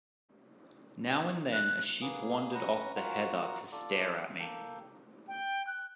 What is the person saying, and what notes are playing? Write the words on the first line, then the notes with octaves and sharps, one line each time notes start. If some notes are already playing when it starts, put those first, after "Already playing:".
Now and then a sheep wandered off the heather to stare at me.
F#6
A#3 B3 G#4 D#6
C#4 B4 F#5 A#5
F4 F#4 A#4 F#5
F4 A4 D5
A#3 A4 G5
G5
F#6